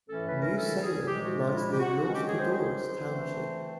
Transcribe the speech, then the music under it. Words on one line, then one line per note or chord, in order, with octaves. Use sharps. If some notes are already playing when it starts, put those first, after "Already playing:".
New Salem lies near North Codorus township.
A2 E3 A3 C#4 A4
B4
A#4
A4
G#4
A#2 F3 G#3 G4
F#4
F4
E4
G4
F#4
D#3 G#3 C#4 F#4
G4
G#4
C5
C5
E3 A3 C4